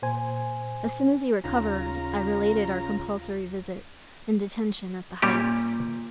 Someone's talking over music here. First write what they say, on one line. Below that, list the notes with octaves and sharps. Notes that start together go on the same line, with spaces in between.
As soon as he recovered, I related our compulsory visit, and detention at the Heights.
A#2 C5 G#5
D#2 C#3 F4 A#5
A#2 G3 C#4 G4